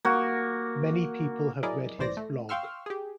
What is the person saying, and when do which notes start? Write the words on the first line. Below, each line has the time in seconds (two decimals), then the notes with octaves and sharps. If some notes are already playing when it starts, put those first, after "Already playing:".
Many people have read his blog.
0.05 A#3 F#4
1.63 F#3 E4 G#4 A#4 D5 D#5
1.98 C2 A2 E3 C5 D5 A#6
2.17 A3
2.49 F5 G5 C6 C#6 E6 F6
2.86 G4 G#4